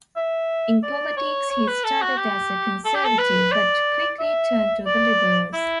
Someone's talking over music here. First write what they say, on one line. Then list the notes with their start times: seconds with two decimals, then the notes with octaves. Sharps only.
In politics, he started as a Conservative, but quickly turned to the Liberals.
0.16 E5
0.83 D5
1.17 C#5
1.50 C#5
1.67 B4
1.84 A4
2.01 F#4
2.17 G4
2.84 A4
2.95 G4
3.04 A4
3.18 B4
3.52 D5
4.19 E5
4.86 D5
5.53 E4